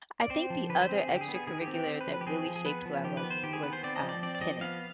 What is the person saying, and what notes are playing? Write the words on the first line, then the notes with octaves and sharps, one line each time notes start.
I think the other extracurricular that really shaped who I was, was, um, tennis.
D5
C4 C5
F3
D3 B4
C5
C4
G#4
D3 G4
G#4
B3
G#4
D#3 G#4
G4
C4
G4
C4
B4
F3
B4
G4
C4 G#4
F3
G#4
B3 B4
F3
D#3 G4
B4
B3
C5
D#3 G4
G#4
B3 B4
C5
C4 D5
D#5
F3
D5
C4 D5
D5
F3 D#5
B3 F5